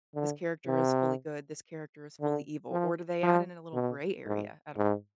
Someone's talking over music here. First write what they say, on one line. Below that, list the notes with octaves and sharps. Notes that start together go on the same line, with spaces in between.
this character is fully good, this character is fully evil, or do they add in a little gray area at all?
D3
C3
D3
F3
F3
B2
G#2
G#2